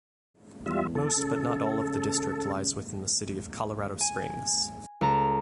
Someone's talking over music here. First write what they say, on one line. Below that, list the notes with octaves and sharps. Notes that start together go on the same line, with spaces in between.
Most but not all of the district lies within the city of Colorado Springs.
E2 G3 F4 E5
A4
C#3
G#5
C#2 A4 A#5